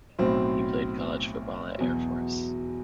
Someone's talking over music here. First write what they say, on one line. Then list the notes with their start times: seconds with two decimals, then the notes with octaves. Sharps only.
He played college football at Air Force.
0.19 B1 A2 F#3 C4
1.78 E2 B2 F#3